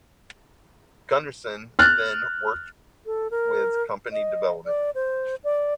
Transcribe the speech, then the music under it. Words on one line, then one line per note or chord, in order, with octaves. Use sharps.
Gunnarsson then worked with company development.
F6 F#6 A6
A4
A#4
D#5
D5
C5
D5